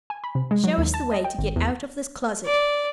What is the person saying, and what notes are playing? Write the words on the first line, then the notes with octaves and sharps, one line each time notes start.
Show us the way to get out of this closet.
G#5
B5
C3
G#3
F#3
D#2
A5
D#5
G5
G#1
E2
D5